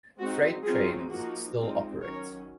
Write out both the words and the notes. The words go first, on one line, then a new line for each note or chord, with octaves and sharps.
Freight trains still operate.
G#3 C4 D#4 F#4
F#3 C4 D#4 F4 G#4
F3 A#3 D#4 F#4
G#3 C4 D#4 F4
D#3 F#3 C#4 A#4 C#5